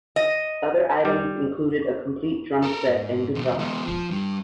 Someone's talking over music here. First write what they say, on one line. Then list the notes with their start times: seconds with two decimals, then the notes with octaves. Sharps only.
Other items included a complete drumset and guitar.
0.16 D#5
1.05 G3
2.63 A4 A#4
2.88 G#2
3.35 D#2 B2
3.59 G#3 B3
3.85 F3
4.11 G2 G3